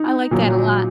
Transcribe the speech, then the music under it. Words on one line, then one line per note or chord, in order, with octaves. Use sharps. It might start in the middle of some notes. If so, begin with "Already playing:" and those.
I like that a lot.
Already playing: D#4
A#2 F#3